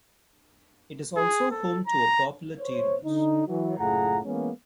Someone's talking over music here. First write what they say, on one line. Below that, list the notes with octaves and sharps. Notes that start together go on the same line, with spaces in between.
It is also home to a popular Tea Rooms.
G#4
A4
A#5
C5 C#5
D3 D#4
E3 F#3
F#1 A2 F4 G#4 F#5 A#5
E3 G#3 A#3 B3 C#4